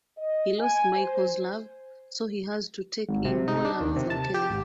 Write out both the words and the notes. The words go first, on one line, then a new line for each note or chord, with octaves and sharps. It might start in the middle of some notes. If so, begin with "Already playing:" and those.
He lost Michael's love so he has to take in more love from Kelly.
D#5
G#5
C5
G#1
C3
D#4
D4
D#2
C3
A5
G4
G#1